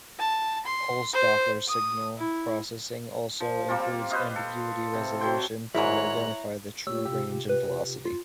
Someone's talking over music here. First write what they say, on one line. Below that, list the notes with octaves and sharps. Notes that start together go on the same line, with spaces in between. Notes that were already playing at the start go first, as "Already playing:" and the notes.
Pulse-Doppler signal processing also includes ambiguity resolution to identify true range and velocity.
A5
C6
C5
D#6
E4
F3
G3 A#3 C4 F4
B4 C5 D#5 F5
A4
C3
F#3 C4 G5 C6
G#1 G#2 E4 C#5 A#5 F#6
A3 G4 C#5 E6
C3 F4 G4
B4
F4